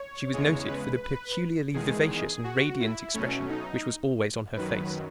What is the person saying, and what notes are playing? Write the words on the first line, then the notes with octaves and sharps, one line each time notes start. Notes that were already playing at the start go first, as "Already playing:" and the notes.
She was noted for the peculiarly vivacious and radiant expression which was always on her face.
Already playing: C#5
E2 C#3 G#3 C#5
B4
B4
E2 D#3 G#3 G#4
F#4
E4
B2 F#3 A3 C#4
D#4
F#2 D#3 F#3 B4